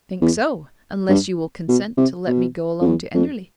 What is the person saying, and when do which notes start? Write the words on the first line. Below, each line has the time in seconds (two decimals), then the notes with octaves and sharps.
"I think so, unless you will consent to let me go alone to Enderley."
0.22 E2
1.09 G2
1.68 B2
1.97 C3
2.27 B2
2.81 F2
2.86 E2
3.14 F2